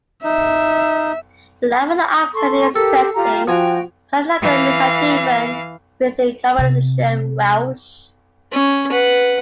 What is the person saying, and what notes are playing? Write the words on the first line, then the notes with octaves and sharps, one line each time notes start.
The Laugharne accent is interesting, sounding like a mix of Devon with Carmarthenshire Welsh.
D#4 E5
A4 C6 C#6
G4 A4 A#4
F4 G4 A#5
F3 F#4 G5 G#5 A#5
E3 F5
C3
C#4
B4 F#5